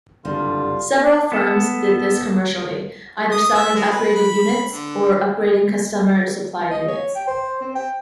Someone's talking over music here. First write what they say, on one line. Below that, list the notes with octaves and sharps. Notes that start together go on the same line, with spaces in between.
Several firms did this commercially, either selling upgraded units or upgrading customer-supplied units.
F#1 C2 G2 D3 G3 F4
B3 A4
D#6
E5
G#3
B4
B5
D3
D#5
C#5
G5
C5
C4
G5